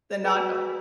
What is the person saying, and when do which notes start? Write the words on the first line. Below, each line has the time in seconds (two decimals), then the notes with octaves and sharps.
the knob do
0.25 F#4 G#4 B4 G#5